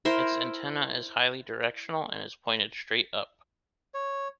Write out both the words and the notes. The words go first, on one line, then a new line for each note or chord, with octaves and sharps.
Its antenna is highly directional, and is pointed straight up.
E4 A#4 C5
C#5